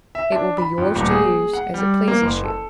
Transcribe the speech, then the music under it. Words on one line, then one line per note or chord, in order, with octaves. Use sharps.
It will be yours to use as it pleases you.
E5
D4
B5
F2
D#1
G#4
F#5
G3
A#3
F#1
A4